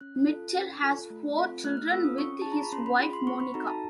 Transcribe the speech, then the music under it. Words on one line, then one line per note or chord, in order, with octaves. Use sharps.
Mitchell has four children with his wife Monica.
C#4 F#6
F4 A4
C#4
F4 A4
A3
C4 F4 A4
A3 F#6
F6
C4 F4 A4 E6
D#6
C#4 C#6
F4 G#4 A5
A#5
B5
C#4 C6
B5
F4 G#4 B5
C6
C4 C#6
B5
D#4 F#4 A4 A#5
A5